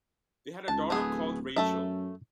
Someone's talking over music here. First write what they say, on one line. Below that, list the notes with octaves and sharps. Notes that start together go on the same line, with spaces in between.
They had a daughter called Rachel.
C#2 A5
D1 A3 B3 G#4
F#2 A3 A4 E5